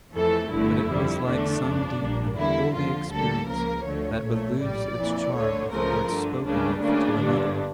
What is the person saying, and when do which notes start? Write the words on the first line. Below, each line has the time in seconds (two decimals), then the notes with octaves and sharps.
But it was like some deep and holy experience that would lose its charm if it were spoken of to another.
0.14 F2 E3 A3 A4
0.51 G1 G2 D3 A3 E4
0.88 F2 D3 G3
1.26 E2 D3 A3 D4
1.63 G1 F2 C#3
2.00 A#1 A#2 G3 A#3
2.37 E2 D3 G3 A#3 E4
2.74 F2 D3 F3 F4
3.11 D2 D3 G3 A#3 A4
3.48 C#2 C#3 F3 A#3 A#4
3.85 D2 D3 F3 A3 C#5
4.22 A#1 A#2 A3
4.59 A#1 A2 G3 D5
4.96 F2 E3 A#3
5.33 D2 D3 A3 C#5
5.71 C#2 C#3 F3 A3 A#4
6.08 G2 D3 A3
6.45 C#2 C#3 G3 A#3 D4
6.82 D2 C#3 G3 A#3 D4
7.19 G1 G2 D3